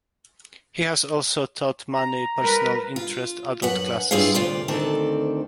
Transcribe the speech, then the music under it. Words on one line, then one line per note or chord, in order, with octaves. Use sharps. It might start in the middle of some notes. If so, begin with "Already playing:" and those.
He has also taught many personal interest adult classes.
A#5
G3 A#4 B4
F4
F#2 B4 F#5
G2 E4 F4 G#4 C#5 F5
D2 C3 F4 D5
D2 D#3 C4 A4 D5